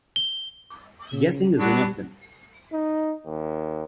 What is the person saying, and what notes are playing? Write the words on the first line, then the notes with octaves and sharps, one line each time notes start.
Guessing is one of them.
G7
C#3
F#3 G3 B3 D4
D#4
D#2